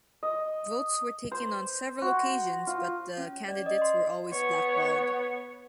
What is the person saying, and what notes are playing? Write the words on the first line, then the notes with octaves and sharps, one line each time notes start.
Votes were taken on several occasions, but the candidates were always blackballed.
D#5
C5
F#4
F4
C#4
D5
D#5
C6
B3 C#5